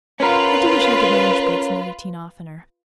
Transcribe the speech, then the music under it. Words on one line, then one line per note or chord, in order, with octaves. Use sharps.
I do wish I could manage breaks in the routine oftener.
C#4 F4 A#4 B4